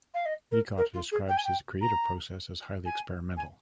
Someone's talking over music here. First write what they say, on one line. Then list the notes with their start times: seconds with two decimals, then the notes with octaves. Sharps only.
Nicot describes his creative process as highly experimental.
0.14 F5
0.25 D#5
0.51 A#4
0.77 A#4
0.93 F4
1.11 G#4
1.28 G5
1.37 G#5
1.44 G5
1.81 A#5
2.85 G#5
3.37 G#5